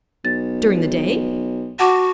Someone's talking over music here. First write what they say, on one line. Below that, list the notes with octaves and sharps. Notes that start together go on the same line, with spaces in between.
"During the day?"
B1 A6
F#4 F#5 A5 D6